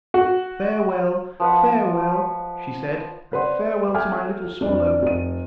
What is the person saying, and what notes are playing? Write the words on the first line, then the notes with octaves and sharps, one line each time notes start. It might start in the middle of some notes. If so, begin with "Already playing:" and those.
'Farewell, farewell,' she said 'and farewell to my little swallow.
F#4
F3 B4 D#5 F#5
B4 C5 D5 F#5 C6
A4 E5 G5 G#5 D6 F6
F1 D4 D5
F1 D#7